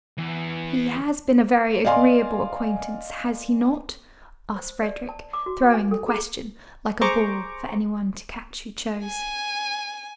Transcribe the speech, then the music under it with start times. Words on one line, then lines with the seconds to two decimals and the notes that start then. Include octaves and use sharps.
'He has been a very agreeable acquaintance, has he not?' asked Frederick, throwing the question like a ball for any one to catch who chose.
0.18 E2
1.85 D5 D#5 F5 G#5 C6
4.56 C5
4.82 D5
5.09 A5
5.33 D6
5.46 F#4
5.74 G#5
5.91 A4
6.08 G#4
7.01 G#4 C5 A#5 C#6 D6
9.05 G#5